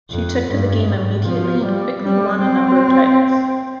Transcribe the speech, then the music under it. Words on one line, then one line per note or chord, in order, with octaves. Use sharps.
She took to the game immediately and quickly won a number of titles.
F2
G2
G#2
F3
G3
G3
C4